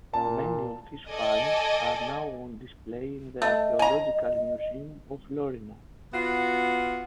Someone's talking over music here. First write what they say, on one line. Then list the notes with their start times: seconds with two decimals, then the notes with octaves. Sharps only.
Many of these finds are now on display in the Archaeological Museum of Florina.
0.14 A#2 A5
1.09 A4 D5 D#5 G#5
3.42 A3 D#5
3.79 G#5 A#5
6.12 B3 F4 F#4